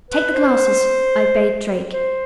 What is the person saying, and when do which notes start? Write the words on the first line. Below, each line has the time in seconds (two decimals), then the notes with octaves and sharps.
"Take the glasses," I bade Drake.
0.10 B4
0.34 C5
1.92 C5